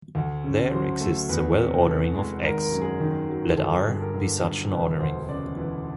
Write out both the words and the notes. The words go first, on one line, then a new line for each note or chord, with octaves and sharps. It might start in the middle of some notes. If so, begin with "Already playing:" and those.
There exists a well-ordering of "X"; let "R" be such an ordering.
D2
C#3
F#3 C5
A3
E2 B4
C3
E3 A4
G#3
G#1 A#4
A#4
F#2
G#4
D#3
F#3
G1 A4
A4
G2 G#4
A#4
D3
G1
E1 B4
D2 C5
C#3 D5
E3